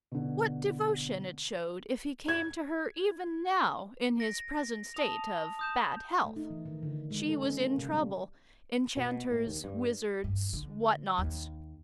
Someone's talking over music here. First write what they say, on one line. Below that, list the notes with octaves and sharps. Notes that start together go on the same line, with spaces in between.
What devotion it showed if he came to her even now--in his present state of bad health! She was in trouble: enchanters, wizards, what-nots.
B2 D3
G#6
A#6 D7
A5 D#6 F7
D#6 G6 E7
A3
D#4
E3
D#3
D3
G#3
A4
C#4
A#3
C3
G3
B2
A2
D#2
G2
G2
D3
D#2